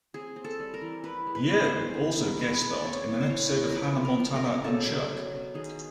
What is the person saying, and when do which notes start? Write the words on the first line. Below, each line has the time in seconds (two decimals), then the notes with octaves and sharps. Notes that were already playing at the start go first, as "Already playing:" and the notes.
Yeo also guest starred in an episode of "Hannah Montana and Chuck".
0.14 C4 G#4
0.36 C4
0.44 A4
0.60 G3
0.74 A#4
0.81 E3
1.04 E3 B4
1.27 G#3
1.35 B4
1.49 G#3
1.65 C5
1.72 E3
1.94 B3
2.18 D#3
2.39 G#3 B4
2.61 B3
2.73 D5
2.84 C4 C#5
3.07 E3
3.20 C5
3.30 E3 C#5
3.52 G#3
3.68 A#4
3.75 F3 B4
3.98 F3
4.05 A#4
4.19 F3
4.35 A#4
4.42 C#3
4.64 B2 A4
4.87 F#3
5.10 F#3
5.32 B2
5.54 D#3 G#4